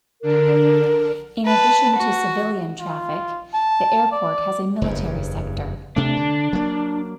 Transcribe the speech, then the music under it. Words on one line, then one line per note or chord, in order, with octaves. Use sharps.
In addition to civilian traffic, the airport has a military sector.
D3 D4 A#4
B4 A5
F#4
F4
A5
D5
F#1 E2 G2
C3 A3 D4
D3
F#3 A#3